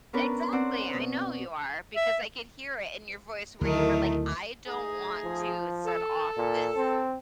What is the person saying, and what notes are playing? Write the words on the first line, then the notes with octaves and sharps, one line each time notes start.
Exactly, I know you are, because I could hear it in your voice where you were like, "I don't want to set off this"
B3 C#4 D4 A#4 B4
C4 C5 D5 F#5
B2
E5
D2 D#3 F#3 A3 E4 A#4
A3 D#4 G#4
F3
A4
A#2
C4